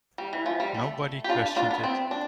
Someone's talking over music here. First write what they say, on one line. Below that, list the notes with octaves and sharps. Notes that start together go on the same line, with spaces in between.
Nobody questioned it.
G3
E3
F3
G3
A3
G4
D4 F4
D4 F4
B3
C4
D4